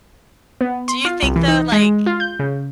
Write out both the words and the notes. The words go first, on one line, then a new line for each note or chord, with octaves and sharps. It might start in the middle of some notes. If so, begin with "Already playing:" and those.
Do you think, though, like,
B3
C6
F4
C2
E3
D#4
G#3
F4
G6
C#3